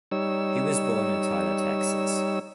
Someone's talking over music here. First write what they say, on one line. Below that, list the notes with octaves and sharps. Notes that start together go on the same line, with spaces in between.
He was born in Tyler, Texas.
G3 D#4 C#5 E6